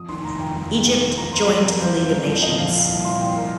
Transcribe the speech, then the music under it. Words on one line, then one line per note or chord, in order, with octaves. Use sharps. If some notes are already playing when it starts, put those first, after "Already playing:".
Egypt joined the League of Nations.
Already playing: F2 D#6
D#3 C6
F1 A#5
F1 G5
F2
D#3
F1
F1
F3 A#5
C4 C6
F2 A#5
F2
A#4
F3 C5
C4
F2
F2
A#2 D#5
F3 F5
A#3 F5
C2
A#2 C6
F3 G5
A#3 A#4